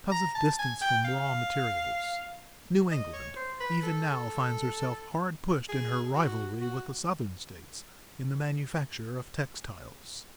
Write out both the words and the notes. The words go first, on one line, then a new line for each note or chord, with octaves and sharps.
Because of distance from raw materials, New England even now finds herself hard pushed in her rivalry with the Southern states in the manufacture of textiles.
A#5
A5
G#5
G5
F5
D#5
C#5
C5
B4
A4
G#4
F#4
F#4